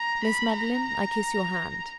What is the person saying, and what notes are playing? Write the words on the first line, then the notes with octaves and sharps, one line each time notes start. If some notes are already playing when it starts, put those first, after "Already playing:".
Miss Madeline, I kiss your hand.'
Already playing: A#5
B5
A#5